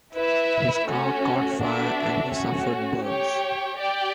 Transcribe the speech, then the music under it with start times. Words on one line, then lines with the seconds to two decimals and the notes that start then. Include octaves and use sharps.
His car caught fire and he suffered burns.
0.16 E4 B4 E5
0.88 A3 C#4 F#4
1.61 B3 D4 F#4 A4 E5
2.33 A3 C#4 F#4
3.06 G4 C#5 G5
3.77 G4 D5 G5